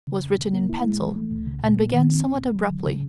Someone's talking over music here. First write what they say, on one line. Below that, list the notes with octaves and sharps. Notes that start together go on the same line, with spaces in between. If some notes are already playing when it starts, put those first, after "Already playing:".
It was written in pencil, and began somewhat abruptly.
C#3
E2
C#3
A#3
E4
G#3
E3
A3
C#2
C#3
A#2
A#3
D#3
C4
C2
C2
F#3
D3
C#3